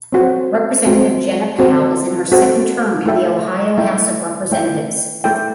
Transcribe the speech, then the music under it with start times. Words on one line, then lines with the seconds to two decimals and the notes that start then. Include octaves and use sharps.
Representative Jena Powell is in her second term in the Ohio House of Representatives.
0.12 C4 F#4 A4 C5 F#5
0.87 C4 F#4 A4 C5 F#5
1.59 C4 F#4 A4 C5 F#5
2.32 C4 F#4 A4 C5 F#5
3.05 A3 E4 A4 E5 G5
3.78 A3 E4 A4 E5 G5
4.51 A3 E4 A4 E5 G5
5.24 A3 E4 A4 E5 G5